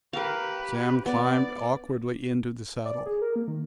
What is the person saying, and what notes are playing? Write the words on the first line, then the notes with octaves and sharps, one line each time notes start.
Sam climbed awkwardly into the saddle.
G4 A#4 B4 F5
B3 D5
D5
G#4
A#4
A#3
D#3